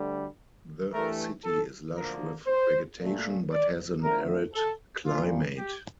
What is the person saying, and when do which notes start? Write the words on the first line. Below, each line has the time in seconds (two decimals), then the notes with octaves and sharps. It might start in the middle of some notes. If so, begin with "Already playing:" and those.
The city is lush with vegetation, but has an arid climate.
Already playing: D2 D3 G3
0.93 G2 E3 A3 A#4
1.45 A4
1.96 D2 D3 F3 A#3 A#4
2.47 C5
2.99 A#2 A3
3.52 D5
4.02 E2 D3 F3 A3 A#4
4.54 A4
5.06 C2 A#2 F3 F4
5.58 G4